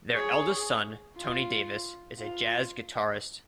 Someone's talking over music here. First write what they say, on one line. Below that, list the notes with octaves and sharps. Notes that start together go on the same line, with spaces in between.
Their eldest son, Tony Davis, is a jazz guitarist.
G#4 C#5
F4
F4